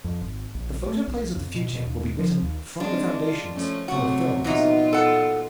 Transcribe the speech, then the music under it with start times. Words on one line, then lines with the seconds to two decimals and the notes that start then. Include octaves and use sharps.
The photoplays of the future will be written from the foundations for the films.
0.04 F2
0.21 G#1
0.55 A#1
0.86 A3
1.08 B1
1.35 F2
1.54 B2
1.73 B2
1.86 D#2
2.19 F3
2.42 D#2
2.80 D#3 G#3 C4 D4
3.23 F4
3.53 F3 A3 C#4
3.88 C3 F#3 A3 F#4
4.44 A#2 E3 F#3 B3 D#4 F4
4.93 A4 F#5